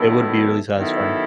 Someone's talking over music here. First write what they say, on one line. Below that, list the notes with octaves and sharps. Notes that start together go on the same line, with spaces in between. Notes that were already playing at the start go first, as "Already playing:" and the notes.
it would be really satisfying.
Already playing: D#3 F#3 B3 E4 A4
D#3 F#3 B3 E4 A4